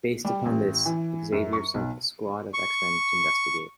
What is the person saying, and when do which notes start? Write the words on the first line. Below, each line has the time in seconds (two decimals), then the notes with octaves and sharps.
Based upon this, Xavier sent a squad of X-Men to investigate.
0.25 G3
0.46 A1
0.85 E3
1.32 F#2
1.53 C#6
1.74 B1
2.54 C#6